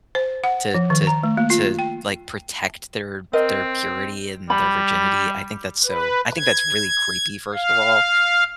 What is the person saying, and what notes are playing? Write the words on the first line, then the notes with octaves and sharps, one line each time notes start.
to to to, like, protect their their purity and their virginity. I think that's so I think that's really creepy, first of all,
C5
F#5
F3
D#3
A#5
A3
A#3
F4
G5
C4 A#4 D#5
G3 B5
B4
G#6
F5